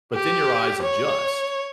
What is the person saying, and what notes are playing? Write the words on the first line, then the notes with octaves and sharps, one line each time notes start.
but then your eyes adjust.
G4
C#5